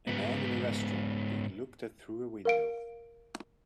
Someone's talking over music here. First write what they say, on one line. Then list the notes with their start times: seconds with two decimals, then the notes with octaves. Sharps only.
A man in a restaurant being looked at through a window.
0.07 G#2 B3
2.45 A#4 F5 D7